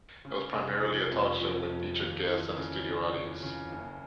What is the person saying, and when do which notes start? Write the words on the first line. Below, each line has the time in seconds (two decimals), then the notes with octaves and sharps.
It was primarily a talk show with featured guests and a studio audience.
0.25 C#3
0.53 F1
0.83 F3
1.11 F2
1.41 F3
1.70 F2
1.98 D#2
2.27 E3
2.56 C#3
2.84 E3
3.14 C#3
3.43 C#3
3.72 F#1